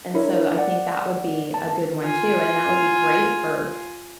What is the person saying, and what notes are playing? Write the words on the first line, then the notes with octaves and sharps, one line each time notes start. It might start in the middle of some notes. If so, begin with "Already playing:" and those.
and so, I think that would be a good one too, and that would be great for,
D4 E4 A#4 C#5
D5 F#5
A5
F4 G#5